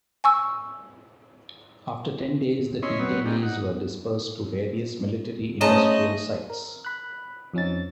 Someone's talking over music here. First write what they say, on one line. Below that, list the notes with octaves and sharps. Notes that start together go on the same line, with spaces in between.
After ten days, the detainees were dispersed to various military-industrial sites.
G#5 C#6 E6
C#4 E4 C#5 D#5 B5 C6
F#3 B3 C4 B4 C#5
G#3 A#3 C4 D4 D#4 G4
D#4 F#5
G#3 A3 C#4 D#5 A5 A#5
A#4
B5 F#6
F2 F3 C#4 D#4 A6